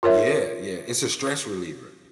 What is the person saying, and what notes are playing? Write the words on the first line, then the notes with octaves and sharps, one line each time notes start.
Yeah, yeah. It's a stress reliever.
F4 A#4 C#5 E5